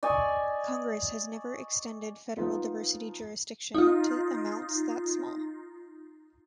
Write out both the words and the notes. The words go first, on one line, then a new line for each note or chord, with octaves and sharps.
Congress has never extended federal diversity jurisdiction to amounts that small.
D5 D#5 G#5 C#6
F3 B3 D#4 F4
D#4 F4